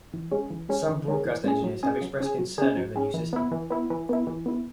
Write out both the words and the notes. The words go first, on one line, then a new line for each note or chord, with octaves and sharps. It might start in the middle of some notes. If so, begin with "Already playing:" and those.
Some broadcast engineers have expressed concern over the new system.
E3
G#3 C#4 G#4
E3
G#3 C#4 G#4
E3
G#3 C#4 G#4
E3
G#3 C#4 G#4
F#3
C#4 G#4
F#3
C#4 G#4
F#3
C#4 G#4
F#3
C#4 G#4
E3
B3 E4
E3
B3 E4
E3
B3 E4
E3
B3 E4